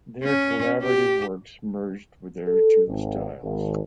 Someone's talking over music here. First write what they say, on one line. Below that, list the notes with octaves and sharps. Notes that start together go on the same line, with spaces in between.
Their collaborative works merged their two styles.
C#4
G4
A4
G#1
G#1